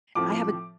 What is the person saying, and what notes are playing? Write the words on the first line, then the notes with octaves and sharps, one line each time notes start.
I have a
A2 F3 C4 D6